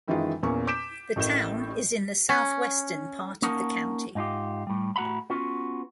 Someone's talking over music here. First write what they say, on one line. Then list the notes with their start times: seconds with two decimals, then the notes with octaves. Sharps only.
The town is in the southwestern part of the county.
0.08 F#2 D#3 E3 G#3 D#4 F4
0.43 E2 A#2 A#3 C#4 C#6
0.67 D6 G6 B6 D7 E7
1.16 A1 A2 A#4 G6 E7
2.29 C#4
3.42 A#3 C#4 D#4 A#4 F#5 A5
4.15 G#2 D#4 F4 G4
4.67 A2 G3
4.96 A2 A3 F#4 F#5 A#5 B5
5.30 B3 C#4 F4 F#4